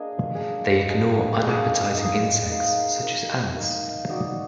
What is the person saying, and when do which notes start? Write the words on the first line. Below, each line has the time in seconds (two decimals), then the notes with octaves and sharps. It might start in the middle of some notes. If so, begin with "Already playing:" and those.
They ignore unappetising insects such as ants.
Already playing: A#3 D4 G#4 D#5
0.34 A#3 D4 G#4 D#5
0.88 A#3 D4 G#4 D#5
1.41 A#3 D4 G#4 D#5
1.94 D#4 A#4 F5
2.48 D#4 A#4 F5
3.02 D#4 A#4 F5
3.56 D#4 A#4 F5
4.09 D#4 F#4 D5